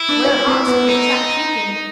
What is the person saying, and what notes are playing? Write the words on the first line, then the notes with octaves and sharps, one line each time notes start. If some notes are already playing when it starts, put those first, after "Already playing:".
Ware hawks for the chap puking.
Already playing: E4
D4
C#4
C4
B3
D#4